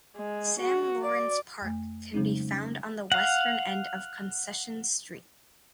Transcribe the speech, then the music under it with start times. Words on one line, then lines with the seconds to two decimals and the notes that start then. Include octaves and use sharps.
"Sam Lawrence Park" can be found on the western-end of Concession Street.
0.17 G#3
0.60 F#4
1.03 D5
1.61 F2 A3
2.14 C#3 F#3 G#3 C4 C#4 D#4
2.51 C#4
3.12 F5 F#5